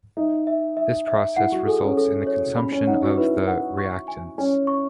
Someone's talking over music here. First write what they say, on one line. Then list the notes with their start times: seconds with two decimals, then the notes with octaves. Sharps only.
This process results in the consumption of the reactants.
0.17 D#4 E5
0.47 E5
0.77 E5
1.08 E5
1.36 E4 F#5
1.52 F#4
1.67 G#4 A4
1.82 C#4
1.97 A4
2.27 C#5
2.57 C#4 B5
2.72 C#4
2.87 D#4 F#5
3.03 F#4
3.17 E4 B4
3.47 F#5
3.78 C#6
4.08 G#5
4.38 C#4 G#5
4.67 C#6